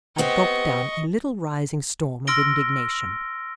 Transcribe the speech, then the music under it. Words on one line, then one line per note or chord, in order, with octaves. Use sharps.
I gulped down a little rising storm of indignation.
B3 C4 G4 D#5 C#6
C6 E6 F6 A#6 D7 G7